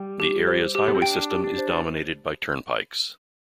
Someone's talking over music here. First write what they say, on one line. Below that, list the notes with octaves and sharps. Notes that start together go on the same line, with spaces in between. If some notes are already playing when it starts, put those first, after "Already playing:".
The area's highway system is dominated by turnpikes.
Already playing: G3 G5
G4
C5
G4
B3
C4
D4 G5
G4
D4
C5